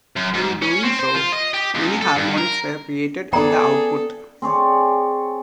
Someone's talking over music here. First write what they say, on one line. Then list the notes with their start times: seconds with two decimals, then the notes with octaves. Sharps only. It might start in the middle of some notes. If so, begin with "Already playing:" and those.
In doing so, many harmonics were created in the output.
0.16 F#2
0.34 G#2
0.62 C#4
0.84 C4
0.99 C5
1.15 F4
1.32 D#5
1.54 G4
1.75 C#2
2.02 A4
2.16 G2
2.38 A#4
3.33 B3 G#4 A4 D5 G5 A#5
4.42 C4 G#4 C#5 D5